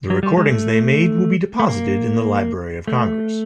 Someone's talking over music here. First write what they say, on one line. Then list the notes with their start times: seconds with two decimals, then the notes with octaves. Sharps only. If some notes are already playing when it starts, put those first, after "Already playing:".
The recordings they made will be deposited in the Library of Congress.
0.10 F#3
0.23 G3
0.37 G#3
0.50 A3
1.60 A3
1.69 A#3
2.88 A3